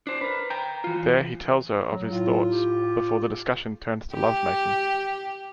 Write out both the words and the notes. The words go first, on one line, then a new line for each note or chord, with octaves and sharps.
There he tells her of his thoughts, before the discussion turns to love-making.
D4 C5
A#4 B4
G5 A#5
E3 F4
F#3
A2 F4
G4
G4